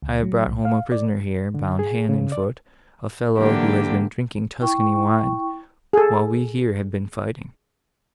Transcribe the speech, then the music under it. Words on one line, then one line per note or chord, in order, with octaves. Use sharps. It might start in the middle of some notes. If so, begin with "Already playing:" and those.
I have brought home a prisoner here, bound hand and foot--a fellow, who has been drinking Tuscany wine, while we here have been fighting.'
C#2
F#3
B1
F5
D5
D3
G#4
C#3
D5
D3 E3 F#3 A#3 D4 G4
E4 G5 C#6
G#4 A4